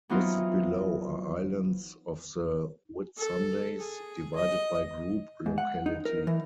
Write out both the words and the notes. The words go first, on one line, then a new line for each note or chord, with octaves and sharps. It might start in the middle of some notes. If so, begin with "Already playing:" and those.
Listed below are islands of The Whitsundays, divided by group locality.
E3 F#3 B3 C4 D#4 F4
A4
G#4
D#5
G#2
F#5
D#4
A#4
E3